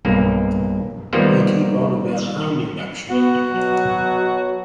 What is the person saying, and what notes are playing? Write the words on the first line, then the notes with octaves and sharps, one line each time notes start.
They keep on about harm reduction.
B1 G2 A#3
D#3 F3 G3 A#3 B3 C5
B3 F#4
B2 F#3